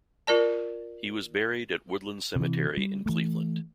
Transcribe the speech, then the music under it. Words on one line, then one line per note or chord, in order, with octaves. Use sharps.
He was buried at Woodland Cemetery in Cleveland.
F4 A#4 D5 A5
C3 E3
G3
E3 A3